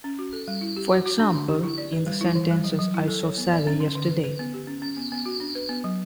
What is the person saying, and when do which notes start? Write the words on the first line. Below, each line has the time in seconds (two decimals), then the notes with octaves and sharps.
For example, in the sentences I saw Sally yesterday.
0.04 C#4
0.19 F#4
0.33 A4
0.48 G3
0.61 E4
0.77 G4
0.91 F#4
1.06 F#4
1.20 D4
1.34 D3
1.48 G4
1.63 E4
1.78 D5
1.93 B4
2.07 G3
2.21 E4
2.35 E3
2.51 G3
2.64 F#3
2.79 F#3
2.94 E4
3.08 A4
3.23 C#5
3.38 B3
3.52 D5
3.67 C#4
3.80 D3
3.95 D3
4.10 B4
4.24 B4
4.39 B3
4.54 G4
4.67 C#4
4.82 C#4
4.97 B3
5.12 B3
5.26 F#4
5.40 D4
5.55 B4
5.69 B3
5.84 F#3